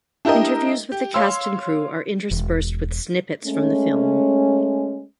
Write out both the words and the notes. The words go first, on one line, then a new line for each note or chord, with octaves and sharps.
Interviews with the cast and crew are interspersed with snippets from the film.
D4 E4 G4 A#4 D#5
G4
C#5 F5 C6 E6
E1
G#3 A3 C#4